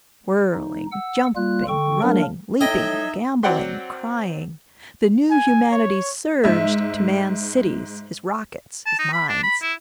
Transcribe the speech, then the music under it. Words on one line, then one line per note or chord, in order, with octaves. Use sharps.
Swirling, jumping, running, leaping, gamboling, crying--the new humanity surged to man's cities, his rockets, his mines.
D#4
F#5 E6
G3 A#3 F4 F#6
D3 A4 G5 C#6
F#3 A#3 D4 A#4
A2 D#4 D#5 E5 G5 G#6
F#3 C4 D5 F#5 G5 C6
G#5
C#5
G#2 E5
A5
D#4
B5
D4
B5
E4